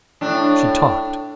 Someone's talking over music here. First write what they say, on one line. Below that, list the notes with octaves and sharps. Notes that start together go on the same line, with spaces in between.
She talked.
A2 D4